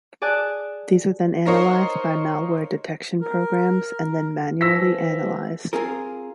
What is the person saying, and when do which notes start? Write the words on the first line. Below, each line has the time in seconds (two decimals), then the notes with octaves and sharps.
These are then analyzed by malware detection programs and then manually analyzed.
0.22 G#4 D5 G#5 A5 F#6
1.45 D#4 F4 A#4 C5 C#5 D#5
3.21 A#4
4.61 E3 F3 E6 A#6 B6
5.73 C4 F4 G#4 A#4